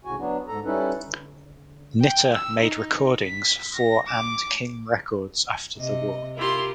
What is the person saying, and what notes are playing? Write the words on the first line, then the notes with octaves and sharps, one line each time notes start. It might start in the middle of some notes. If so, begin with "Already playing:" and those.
Nitta made recordings for and King Records after the war.
D2 A2 C#3 F#4 G#5
F#3 B3 D4
G#2 A4 A#5
G3 C#4 D#4 E4 A4 B4
G5
E6
D#4
B6
A#6
D6
C3 D#5
E4 F4 G4 A#4 C6